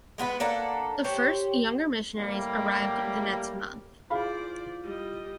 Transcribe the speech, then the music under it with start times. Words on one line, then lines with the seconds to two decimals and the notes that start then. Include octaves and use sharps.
The first younger missionaries arrived the next month.
0.18 G#3 B3 E4 B4
0.40 A#3 D4 A4 F#5
1.04 G4 C5 C#5
2.17 A2 G3 A#3 G4
4.10 E4 F4 G#4 C5 D5 F5 B5
4.84 G3 D#5